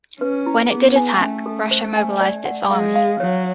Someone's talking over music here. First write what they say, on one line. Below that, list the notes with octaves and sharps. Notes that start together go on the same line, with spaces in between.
When it did attack, Russia mobilized its army.
C#4 B4
E4
B3 G#4
G#5
A3 C#4
A4
C5
G#5
D5
F#5
G#3 F5
F5
F#3 C#5